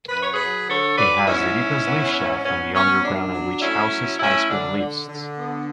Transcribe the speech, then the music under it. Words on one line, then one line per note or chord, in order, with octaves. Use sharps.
It has the deepest lift shaft on the Underground at which houses high-speed lifts.
F#2 B4
C#5
G#4 B4
F#3
D3 A4 C#5
F#3 B4 D5
G#2 C#4 E4
G#2
B3
G#2
B3 C#4
B3 C#4
F#2 D4
F#3
A3 C#4 E4
F#3
A3 C#4 E4
D3 D4
D3
D3
B3